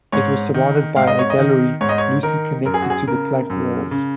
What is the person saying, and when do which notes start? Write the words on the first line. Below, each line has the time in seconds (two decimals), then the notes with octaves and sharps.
It was surrounded by a gallery loosely connected to the plank walls.
0.12 G#2 C#5
0.54 D#3
0.96 G#2 F5
1.07 D#5
1.19 C#5
1.30 D#5
1.39 D#3
1.81 G#2 C#5
1.89 D#5
1.98 C#5
2.23 D#3 A#4
2.65 F#2 A#4
2.74 G#4
2.82 F#4
2.90 G#4
3.08 C#3 A#4
3.50 F#2
3.91 C#3